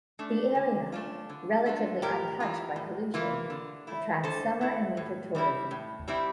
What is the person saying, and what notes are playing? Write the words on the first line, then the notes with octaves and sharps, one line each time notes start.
The area, relatively untouched by pollution, attracts summer and winter tourism.
A3 D4
D3
A3 D4 F4
D3
A3 D4 F4
A2 G4 A#4
E3 A#3 F4
A2
E3 A#3 F4
D3
A3 E4
D3 A4 C5
A3 E4
A2
G3 C4 E4
A2
G3 C4 E4